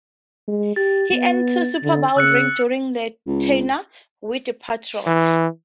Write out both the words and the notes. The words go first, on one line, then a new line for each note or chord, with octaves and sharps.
He earned two Super Bowl rings during his tenure with the Patriots.
G#3
G4 A6
B3
D3
C#3 E6 F#6 C#7
C#2
E3